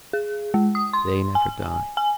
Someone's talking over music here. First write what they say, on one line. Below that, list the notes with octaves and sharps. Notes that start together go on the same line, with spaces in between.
They never die.
G#4
G#3
D#6
C6
G#5
G#5